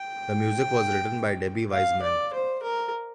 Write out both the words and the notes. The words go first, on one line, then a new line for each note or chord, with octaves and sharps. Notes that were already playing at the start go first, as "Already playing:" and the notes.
The music was written by Debbie Wiseman.
Already playing: G5
F5
D5
C5
A#4